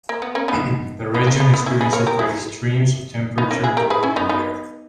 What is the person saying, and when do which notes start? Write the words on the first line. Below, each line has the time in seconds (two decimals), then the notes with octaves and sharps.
The region experiences great extremes of temperature during the year.
0.09 A#3
0.22 B3
0.35 A#3 C#4
0.48 B3 D#4
1.14 B3 D#4
1.27 A#3 C#4
1.40 B3
1.54 B3
1.66 C#4 E4
1.81 G#4 B4
1.93 A#4 C#5
2.07 G4 A#4
2.19 E4 G#4
3.38 B3 D#4
3.51 A#3 C#4
3.63 E4 G#4
3.77 G4 A#4
3.90 G#4 B4
4.03 C#4 E4
4.16 B3 D#4
4.29 B3 D#4